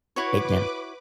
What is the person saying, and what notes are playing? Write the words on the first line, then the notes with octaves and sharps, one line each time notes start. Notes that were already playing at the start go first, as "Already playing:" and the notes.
It does.
E4 F#4 B4 C#5 D6